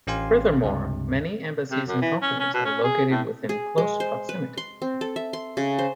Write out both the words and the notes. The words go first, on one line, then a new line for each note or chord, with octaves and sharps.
Furthermore, many embassies and companies are located within close proximity.
A1 C#4 G4 F5 G#5 C6
C#2 G2 C3
C3
F#2
E3
C#4
C#4
B2
C#4
G#4
A2
G#4
G#3
C5
B4
C6
C4
A4
E5
C6
C#3
C5